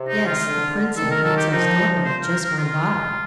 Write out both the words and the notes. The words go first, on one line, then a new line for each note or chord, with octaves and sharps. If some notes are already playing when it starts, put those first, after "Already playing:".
'Yes, the prince and Kostiei's daughter have just gone by.
Already playing: C3
D#4
F4
D3
D#3 A4
A#4
A4
G4
F3 D#4
C5
A#4
A#4
F4